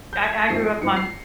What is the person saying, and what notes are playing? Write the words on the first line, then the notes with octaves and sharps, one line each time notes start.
I I grew up on
G6
G#6
A#6
G#2 F3 G#3 C4 C7
G#2 F3 G#3 C4 C#7
C7